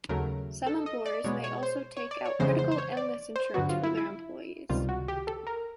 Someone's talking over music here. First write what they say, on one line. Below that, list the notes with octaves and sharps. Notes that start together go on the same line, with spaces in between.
Some employers may also take out critical illness insurance for their employees.
D#2 C#3 F#3 A3 A#4
A4
D#5
D5
B2 G#3 B3 C#5
C#5
C5
C#5
D5
C#5
F2 C#3 E3 G#3 B3 C5
C5
C5
C#5
D5
C5
G2 D3 F#3 B3 F#4
F4
E4
E4
C#2 C3 D#3 G3 F4
F#4
G4
A4
A#4